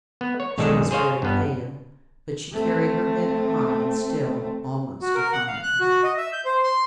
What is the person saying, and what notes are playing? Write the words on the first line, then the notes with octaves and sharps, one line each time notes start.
She was very pale, but she carried her head high still--almost defiantly.
B3
C#5
B1 G#2 D#3 G#3 D4 A4
G#4 C5 C#5 F5
G2 B3
A3 C4
F#4
A#4
F#5
F5
F#6
F#4
D#5
E5
G6
C5
C6